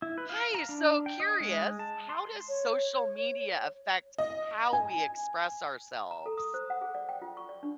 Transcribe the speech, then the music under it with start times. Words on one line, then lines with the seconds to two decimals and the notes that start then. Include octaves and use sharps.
Hi! So, curious, how does social media affect how we express ourselves?
0.02 E4
0.18 B4
0.29 F5
0.55 A#5
0.69 D4
1.06 G5
1.20 D#5
1.40 G#3
1.79 A5
2.09 C6
2.49 C#5
4.18 D#5
4.73 G#5
6.11 A#5
6.26 A4
6.37 D#6
6.54 C5
6.70 F#5
6.81 G#4
6.95 D5
7.09 G5
7.22 F4
7.37 C#6
7.49 D5
7.63 D4